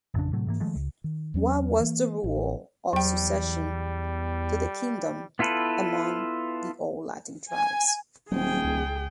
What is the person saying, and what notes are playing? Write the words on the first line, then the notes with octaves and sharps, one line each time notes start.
What was the rule of succession to the kingdom among the old Latin tribes.
A1 F2 C#3 D4
A2 C3 F#3 A3
G#2 E3 A#3
D#3 F3 G#3 A3
C#2
D#3
E2 F#3 C#4
E3 A#3
A1
E2 F#3 G3 G5
B3 E4 F4 A4 B4
G#5
D#1 F#3 C4 G#4 G5
C#2